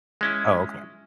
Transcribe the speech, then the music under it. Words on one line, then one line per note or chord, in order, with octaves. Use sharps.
Oh, okay.
G#3 C#4 E4